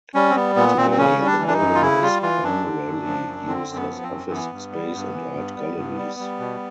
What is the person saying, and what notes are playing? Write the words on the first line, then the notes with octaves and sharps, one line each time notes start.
Today the building is primarily used as office space and art galleries.
G3 C#4
C4
G3 B3
A#2 B3
A#2 C4
C4
C#3 C#4
G3
D4
E3
D4
D#4
F#2
F4
C#3 E4
G3 F4
E3 F4
F#2 D4
D3
F#2
F3
F#2
D3 C4
F#2
B3
F3
C4
F#2
E3 B3
G2
G3
G2
E3
G2
G3
G2
G3
G3
B2